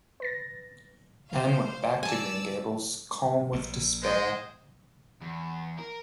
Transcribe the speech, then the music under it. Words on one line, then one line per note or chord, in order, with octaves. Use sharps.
Anne went back to Green Gables calm with despair.
B4 A6 A#6
C5 F5
D5 G#5 A5 E6
A#1 A#2
G#3 C5 D#5
E2
A#4